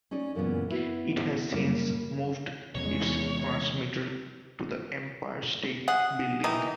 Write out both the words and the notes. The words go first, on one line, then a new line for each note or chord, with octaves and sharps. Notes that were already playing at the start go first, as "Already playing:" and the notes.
It has since moved its transmitter to the Empire State Building.
C#4 D#4 G#4 D5
F#2 A#2 C#3 E3 G#3 B3
B3 E4 F#4 B4
F#2 G3 A#3
E2 C3 F3 G#3 C#4 C#5
G#4 F#5
D#3 E3 D#4